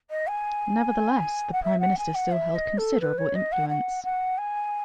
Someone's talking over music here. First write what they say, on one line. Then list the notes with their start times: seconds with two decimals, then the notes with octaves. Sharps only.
Nevertheless, the Prime Minister still held considerable influence.
0.10 D#5
0.27 G#5
1.52 F#5
1.64 E5
1.80 F#5
1.98 G#5
2.14 F#5
2.31 E5
2.55 D#5
2.78 A4
3.01 B4
3.18 C#5
3.35 D#5
3.52 F#5
3.69 F#5
4.04 F#5
4.38 G#5